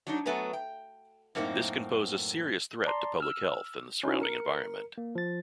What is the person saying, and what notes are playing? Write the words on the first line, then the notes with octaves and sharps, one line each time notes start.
This can pose a serious threat to public health and the surrounding environment.
F#3 D4 D#4
F#3 A3 B3 B4 G#5 A#5
G5
F#2 A2 A#3 C4 D#4
D5 A5 A#5 C6
E6 F6
C#4 D#4 E4 F#4
A#4 C#7
A#3
F3 A6